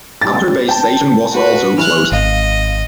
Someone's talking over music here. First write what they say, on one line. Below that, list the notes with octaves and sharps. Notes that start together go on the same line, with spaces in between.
Upper Bay station was also closed.
G3 A6
G5 A5
F#4 B4
E3 F6 F#6
G#1 D#5 F5